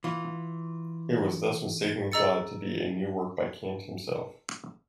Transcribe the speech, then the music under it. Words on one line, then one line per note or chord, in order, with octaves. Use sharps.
It was thus mistakenly thought to be a new work by Kant himself.
E3 F4
G#4 D#5 A#5 E6 A6 C#7